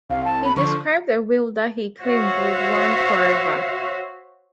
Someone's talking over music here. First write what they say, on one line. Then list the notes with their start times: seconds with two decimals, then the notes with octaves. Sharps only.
He described a wheel that he claimed would run forever.
0.10 C2 F5
0.24 A5
0.44 B5
0.56 D3 F3 C#6
2.02 F#4 C5 C#5 E5 F5